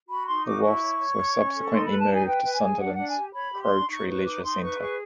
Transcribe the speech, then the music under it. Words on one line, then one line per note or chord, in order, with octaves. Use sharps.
The Wasps were subsequently moved to Sunderland's Crowtree Leisure Centre.
F#4 B5
D#4 C6
F#4 D6
E4 C#6
C#5
C#5
C#5
C#4
A4
D#4 C6
B5
B4
A5
D#4 G#5
B4 G5
B4
G#5
G#4
D4 F#5
D4 F#5
G#5
G4
C#5 B5
G4
C6
D4
D#4 C#6
B4 C#6
D#4 D6
D#4 C6
B4 C#6
G#4 C#6